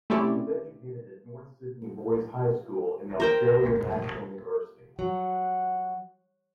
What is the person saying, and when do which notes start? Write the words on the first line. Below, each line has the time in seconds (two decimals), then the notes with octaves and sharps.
He was educated at North Sydney Boys High School and the Australian National University.
0.10 A3 C4 C#4 E4 G4 D5
3.20 A#4 C5 G5
4.99 F#3 F#5